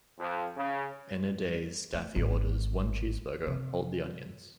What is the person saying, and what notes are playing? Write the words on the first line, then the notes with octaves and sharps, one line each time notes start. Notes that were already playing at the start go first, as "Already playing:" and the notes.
In a daze, Daffy orders "One cheeseburger, hold the onions".
F2
C#3
A3
G#1
C3